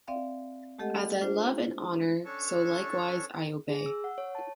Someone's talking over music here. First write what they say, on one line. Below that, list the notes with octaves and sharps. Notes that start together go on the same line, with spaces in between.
As I love and honour, so likewise I obey.
C4 D5 E5 F5 G5
G#3 A3 G4 A4 D#5 F#5
D4 F4 C5
C#4 D4 A4 C#5 A5 C#6
G#4
E6
F#5
C#5
A5